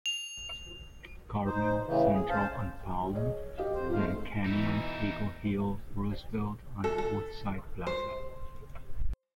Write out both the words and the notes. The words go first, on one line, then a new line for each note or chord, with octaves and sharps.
Carmel, Central and Palm then Canyon, Eagle Hill, Roosevelt, and Woodside Plaza.
F7
D#4 C5
A2 C#3 E3
G#4
C#4 C5 F5 A5
G#4 C#5 D#5
G4 D#5 F5
F2 C5
G#3 A3 B3 D#4 C5 F5
B2 E3 D#4 E4
A4
A4
C5